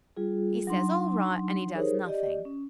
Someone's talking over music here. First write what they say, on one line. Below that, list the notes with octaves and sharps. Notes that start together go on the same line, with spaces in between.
He says, 'All right,' and he does nothing.
G3 F4 G#4
F#3 D4 D#4 C6
D#4 G4 G#4 A#4 C5 C#5
G4 D5 D#5
C#4